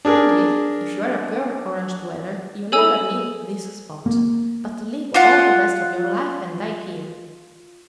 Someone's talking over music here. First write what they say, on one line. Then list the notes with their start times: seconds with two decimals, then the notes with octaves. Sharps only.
Indeed, if you are a girl Orange-dweller you never leave this spot, but live all the rest of your life and die here.
0.05 D4 G#4 A#4
2.72 G#4 A4 C#5 G#5 E6
4.06 A#3
5.14 F4 F#5